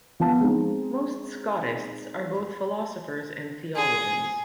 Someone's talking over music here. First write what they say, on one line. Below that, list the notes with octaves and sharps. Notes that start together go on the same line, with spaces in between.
Most Scotists are both philosophers and theologians.
F3 B3 A5
G#3 C4 D#4
G#4